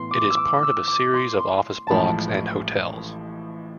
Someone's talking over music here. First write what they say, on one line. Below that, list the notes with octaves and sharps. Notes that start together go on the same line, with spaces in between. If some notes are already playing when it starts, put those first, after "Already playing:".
It is part of a series of office blocks and hotels.
Already playing: A2 E3 B3 C6
D6
E6
D6
E6
D6
C6
C6
A1 A2 F3 G#3 A5 B5